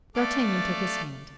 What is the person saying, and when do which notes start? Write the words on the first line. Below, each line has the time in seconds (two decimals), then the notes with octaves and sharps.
D'Artagnan took his hand.
0.15 A3 A4 D5 F5 D6